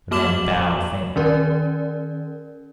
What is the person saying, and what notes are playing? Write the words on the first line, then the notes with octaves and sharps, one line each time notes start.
The man bowed faintly.
A#3 F#4 D6 E7 F#7
D#3 C#4 A#4 D5